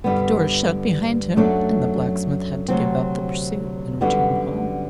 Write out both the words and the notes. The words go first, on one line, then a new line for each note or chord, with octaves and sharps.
The door shut behind him, and the blacksmith had to give up the pursuit and return home.
G2 D3 G3 B3
F#2 F#3 A3 D4
D2 C3 F#3 C4
F#2 D3 G3 B3 F#4